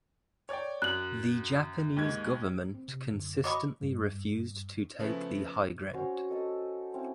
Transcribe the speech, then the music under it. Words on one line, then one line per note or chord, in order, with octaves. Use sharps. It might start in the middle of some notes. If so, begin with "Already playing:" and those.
The Japanese government consistently refused to take the high ground.
C#5 D5 G5
F#2 F#6 F#7
D#2 G#2 G#6
C4
C3
F#2 D3
F#3 D#5 B5 C#6 D6
G2
C#3 F3 A3 B3
C#4 F#4 C5 C#5
A4 D#5 A5 E6
C4 C#4 E4